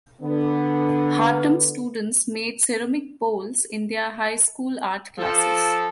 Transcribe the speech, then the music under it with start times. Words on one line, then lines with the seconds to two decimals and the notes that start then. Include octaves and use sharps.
Hartom's students made ceramic bowls in their high school art classes.
0.21 D3 B3
5.18 F3 A4